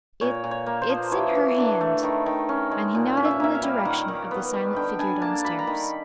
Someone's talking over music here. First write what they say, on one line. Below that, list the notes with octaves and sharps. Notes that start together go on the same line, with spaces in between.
"It--it's in her hand," and he nodded in the direction of the silent figure downstairs.
A#2 C#5
A#2
C#5
A#3
C5
F3
E3 C#5
E3
D4
A3
D#3
D#3
C#4
G#3
A#2
C#4
E5
A#3 E5
F5
G3
D#3 F#5
D#3
B3
G3
D3 G5
D4 G#5
A#3 A5
G3 B5
A#5
D#3 B5